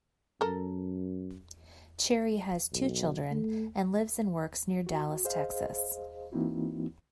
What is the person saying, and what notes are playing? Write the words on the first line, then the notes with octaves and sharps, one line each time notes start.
Cherry has two children and lives and works near Dallas, Texas.
F#2 A4 A#4
B1
A3
F#4
G#4 C5 D#5 F5
E3 A#3 C4 D#4 E4 F#4